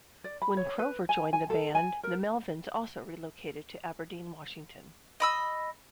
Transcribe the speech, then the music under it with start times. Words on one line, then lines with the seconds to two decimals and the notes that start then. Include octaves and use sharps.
When Crover joined the band, the Melvins also relocated to Aberdeen, Washington.
0.24 D5
0.42 B5
0.57 C#5
0.79 B4
1.09 G#5
1.33 G#5
1.50 A4
1.75 G#5
2.03 A#4
5.20 D#5 B5 E6